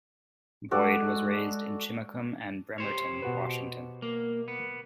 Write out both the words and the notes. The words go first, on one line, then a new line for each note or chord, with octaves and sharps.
Boyd was raised in Chimacum and Bremerton, Washington.
G#3 F#4 A4 D5
G4 C5 C#5
B2 F#4 B4
A#3
B3